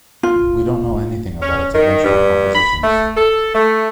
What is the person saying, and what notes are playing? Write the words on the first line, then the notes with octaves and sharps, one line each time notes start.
We don’t know anything about its eventual compositions.
F4
C#4
D#3
G2
B5
A3
A4
A3